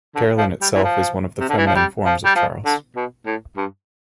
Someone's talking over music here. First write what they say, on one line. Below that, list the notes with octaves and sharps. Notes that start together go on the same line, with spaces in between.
Caroline itself is one of the feminine forms of Charles.
D3
F3
G3
E3
F3
C3
D3
E3
F3
G3
F3
G3
F3
D3
B2
A2
G2